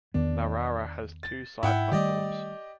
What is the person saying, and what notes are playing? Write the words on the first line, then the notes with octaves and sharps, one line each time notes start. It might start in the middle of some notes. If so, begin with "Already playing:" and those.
Narara has two side platforms.
E2 D#3 B3 D4
A6
G#2 E4 F#5 G5
D#3 G3 A3 G4 D5 D#5